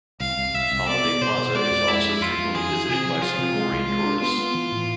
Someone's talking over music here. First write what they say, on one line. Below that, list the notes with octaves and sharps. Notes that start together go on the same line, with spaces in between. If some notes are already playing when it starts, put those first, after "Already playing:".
Holiday Plaza is also frequently visited by Singaporean tourists.
C2 F5
C2
C2 E5
C2
B3 D5
B3
B2 C5
B2
G#3 D5
F2
G#3 E4
F2
F2 F4
F2
E3 G#4
E3
C3 G#4
F3
F3 F4
C3
G#3
C2
G#3
D4
B3 F4
B3
E3
A2